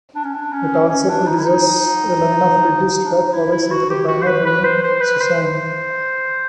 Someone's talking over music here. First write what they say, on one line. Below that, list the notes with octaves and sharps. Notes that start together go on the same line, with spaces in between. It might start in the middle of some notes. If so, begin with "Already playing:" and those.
It also produces a line of reduced-fat products under the banner Lean Cuisine.
D4
C#4
D4
C#4
C#4
D4
D#4
E4
D#4
D4
D#4
E4
E4
F#4
G4
F#4
C5
B4
B4
C5
C5
B4
C5